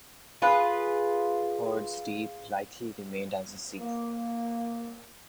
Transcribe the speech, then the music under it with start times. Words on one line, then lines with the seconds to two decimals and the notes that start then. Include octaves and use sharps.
Hurd's Deep likely remained as a sea.
0.42 F4 G#4 B4
3.79 A#3